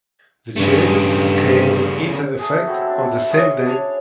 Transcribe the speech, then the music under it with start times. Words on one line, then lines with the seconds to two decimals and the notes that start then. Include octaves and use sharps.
The changes came into effect on the same day.
0.56 G2 C#3 A3
2.39 A3 G#4
2.67 C4 E4 F#4 A4
2.87 D4
3.02 E4
3.31 C#4 G#4 C6 C#6
3.66 D4 C#5